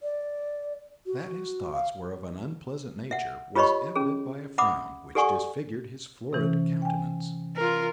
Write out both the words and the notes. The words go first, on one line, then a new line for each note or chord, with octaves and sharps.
That his thoughts were of an unpleasant nature was evident by a frown which disfigured his florid countenance.
D5
F#4
F5
E5 F#5
F4 G4 C#5 D#5 B5 C#6
C#4 G#4
E5 F#5 B5 D6 D#6
G4 A4 D5 F#5 G#5 C#6
C3 E3 C#4
G5 G#5
F4 A#4